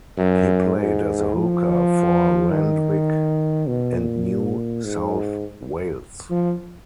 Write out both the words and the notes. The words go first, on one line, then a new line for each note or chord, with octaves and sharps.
He played as a hooker for Randwick and New South Wales.
F#2
G#2
F3
D#3
B2
A#2
G#2
F3